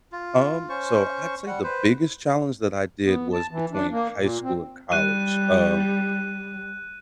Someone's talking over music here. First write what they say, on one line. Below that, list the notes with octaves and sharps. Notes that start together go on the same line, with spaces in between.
Um, so, I'd say the biggest challenge that I did was between high school and college. Um,
F4
C#4 C5 C#6
G3 F#5
B4 C5
B3
A5
E3
D4
A#3
A#2
C4
G3 F#6 D#7